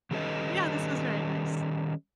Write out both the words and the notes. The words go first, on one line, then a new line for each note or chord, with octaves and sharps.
Yeah, this was very nice.
D#3 G3 C#4 A4 B4 D#5